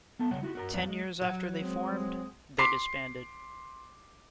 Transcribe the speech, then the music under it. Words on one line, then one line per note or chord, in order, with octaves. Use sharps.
Ten years after they formed, they disbanded.
B3 A4 A5
C#3 G3 C#5 F#5
E4 F#4 G4
F#4 A#4 A#5
F2 G3 B4 D5 F5
G#3
F#3
G#3 C4
C6 D6 B6 C7